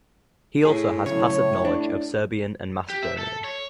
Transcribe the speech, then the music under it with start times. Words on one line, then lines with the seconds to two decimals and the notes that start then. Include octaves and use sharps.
He has also passive knowledge of Serbian and Macedonian.
0.65 A2 G#4
1.06 F#2 A2 C#3 C#5
1.65 D4
2.90 G4
3.03 E5
3.19 A4
3.44 C#5